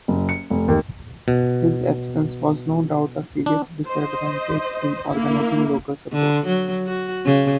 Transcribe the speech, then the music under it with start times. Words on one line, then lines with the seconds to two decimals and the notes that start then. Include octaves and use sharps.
His absence was no doubt a serious disadvantage in organising local support.
0.08 F#1
0.29 C#7
0.50 F1
0.68 D#2
1.28 B2
3.46 D4
3.88 C5 D#5
5.10 A#3 E4
6.13 D3
6.47 F#3
6.87 F#4
7.26 C#3